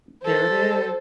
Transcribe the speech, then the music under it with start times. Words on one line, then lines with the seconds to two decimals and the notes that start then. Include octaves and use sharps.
There it is.
0.23 A4 C5